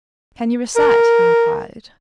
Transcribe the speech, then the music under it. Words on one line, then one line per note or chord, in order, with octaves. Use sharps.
"Can you recite?" he inquired.
A#4